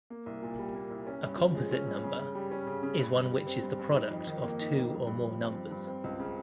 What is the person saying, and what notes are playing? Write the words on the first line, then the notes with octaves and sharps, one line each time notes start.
A composite number is one which is the product of two or more numbers.
A#3
C2
A#2
G3
A#3
C2
C#4
G2
F3
G#3
C#4
G2
C#3
C#3
G3
C#4
C#3
C#3
G2
G2
G3
C4
G2
G2
D#4
F2
D#3
A#3
D#4
F2
G2
G2
F3
C4
G2
G2
C4
C#2
C#3